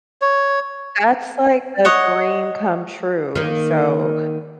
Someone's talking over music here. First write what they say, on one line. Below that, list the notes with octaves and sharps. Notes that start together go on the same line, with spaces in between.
That's, like, a dream come true, so,
C#5
C#5 D#5 F#5
D#3 A#3